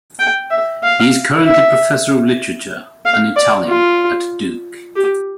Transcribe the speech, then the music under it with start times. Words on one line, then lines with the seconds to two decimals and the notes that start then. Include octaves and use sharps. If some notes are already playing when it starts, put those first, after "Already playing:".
He is currently professor of Literature and Italian at Duke.
0.19 G5
0.51 E5
0.83 F5
1.46 E5
3.06 F5
3.36 D5
3.68 F4
4.96 G4